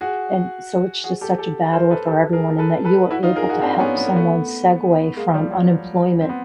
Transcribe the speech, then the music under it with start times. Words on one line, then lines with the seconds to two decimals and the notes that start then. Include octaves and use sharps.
and so, it's just such a battle for everyone, and that you are able to help someone segue from unemployment
0.01 F#4 G#4
1.04 F#4 G#4
1.21 G4 A4
1.38 G4 A4
1.73 A#4 C5
1.91 A4 B4
2.07 G4 A4
2.33 G#4 A#4
2.58 A4 B4
2.85 A4 B4
3.11 E4 F#4
3.23 D#4 F4
3.36 G#4 A#4
3.49 F#4 G#4
3.62 C4 D4
3.79 B3 C#4
3.97 B3
4.06 A#3
4.16 A3 B3
5.17 G#3 A#3
5.34 F3 G3
5.51 F#3
6.21 C4
6.29 B3